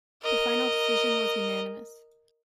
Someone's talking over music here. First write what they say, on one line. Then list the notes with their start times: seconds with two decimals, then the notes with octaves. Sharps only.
The final decision was unanimous.
0.23 A#4 D#5